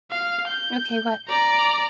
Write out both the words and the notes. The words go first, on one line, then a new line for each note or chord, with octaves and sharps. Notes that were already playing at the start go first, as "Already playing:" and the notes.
Okay, what?
F5
G6
D5 A#5